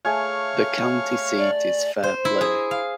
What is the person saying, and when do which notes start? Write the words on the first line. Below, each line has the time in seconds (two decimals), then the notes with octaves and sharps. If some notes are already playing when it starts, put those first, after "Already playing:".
The county seat is Fairplay.
0.05 A3 G#4 C#5 F5 G#5
1.38 D5
2.03 C5
2.25 E4
2.41 G#4
2.71 F5